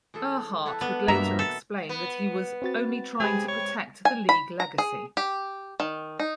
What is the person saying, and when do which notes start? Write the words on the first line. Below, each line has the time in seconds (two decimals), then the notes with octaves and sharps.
Ehrhart would later explain that he was only "trying to protect the league legacy".
0.14 E3 G#4 A4
0.66 E4 A4 B4
0.81 B3 D4
1.08 G2 B2 E3 A#3 E5 A#5
1.39 A4
1.89 B3
2.62 C4 F#4 A6
3.20 C3 G#3 G4 G#4 B4
3.48 C#5
4.05 G#5
4.29 B5
4.60 A#5
4.78 G#4
5.17 G4
5.80 D#3
6.19 D#4